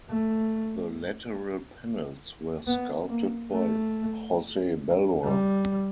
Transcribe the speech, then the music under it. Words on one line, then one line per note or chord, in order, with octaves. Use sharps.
The lateral panels were sculpted by Jose Bellver.
A3
B3
A#3
A3
G3